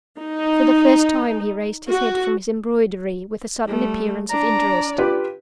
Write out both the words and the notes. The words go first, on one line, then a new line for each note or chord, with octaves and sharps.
For the first time he raised his head from his embroidery--with a sudden appearance of interest.
D#4
F#4
G3 A3
D4 D5 A#5
F4 G4 B4